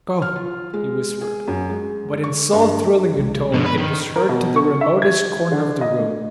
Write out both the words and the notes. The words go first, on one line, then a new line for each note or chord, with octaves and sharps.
"Go!" he whispered, but in so thrilling a tone it was heard to the remotest corner of the room.
F6
F4
G#3
G#4
F#2
G#3
C#6
G2
B1 C3 G#3
G2 B2 D3 F3
B4
D#3
A#4
B2
C#6
E5
G#6
D3
D#5
A3